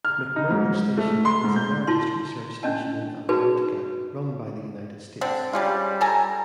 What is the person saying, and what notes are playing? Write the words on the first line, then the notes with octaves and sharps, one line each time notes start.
McMurdo Station is the largest research station in Antarctica, run by the United States.
F6
D#4
G#2
A3
C6
G#2
G6
E4 F4 A5 C6
C#4 D4 D#5 A5
D#4 F#4 G#4 B4 A5 B5
D3 C4
G3 G#3 C#4 F4
A4 G#5 A#5